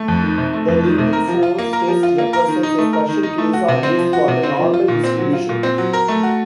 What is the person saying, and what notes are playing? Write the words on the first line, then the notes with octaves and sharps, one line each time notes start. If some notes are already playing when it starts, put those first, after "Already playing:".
The Lilliefors test represents a special case of this for the normal distribution.
Already playing: A3
F2
D#3
C3
A3
F2
D#3
C3
A#4
F3
F4
A#3
A#4
F3
F4
A#3
A#4
D#3
D#4
A3
A#4
D#3
D#4
A3
F#4
C3
C4
F3
F#4
C3
C4
F3
F4
A#2
C4
F#3
F4
A#2
C4
F#3
A#4
A3
F#4